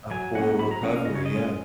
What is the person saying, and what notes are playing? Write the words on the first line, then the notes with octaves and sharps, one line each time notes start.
A full recovery, yeah.
F#3 G#5
A#3 C#4 F#5
F#3 B5
A#5
A#3 C#4 F#5
F5
C#3 D#5
C#5
D#5
G#3 C#4